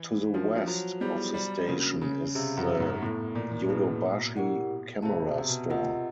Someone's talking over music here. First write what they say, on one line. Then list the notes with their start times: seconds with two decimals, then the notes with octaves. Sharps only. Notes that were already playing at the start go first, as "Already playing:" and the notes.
To the west of the station is the Yodobashi Camera store.
Already playing: E3
0.34 F3 D4 F#4 A#4
0.55 F3
0.68 F#3
1.00 G3 B3 E4 G#4 C5
1.34 G3
1.68 C#3 A#3 D4 F#4 A#4
2.02 C#3
2.35 C3 G#4 C#5 F5
2.57 F#2
2.80 G#2
3.02 A2 B3 E4 A4
3.35 A#2
3.69 B2 E4 G#4 B4
4.37 E4 G4 A#4 D5 F#5
5.03 C3 G#4 C5 F5 A5
5.26 B2
5.38 C3
5.48 B2
5.70 C3 F4 A#4 D#5 F#5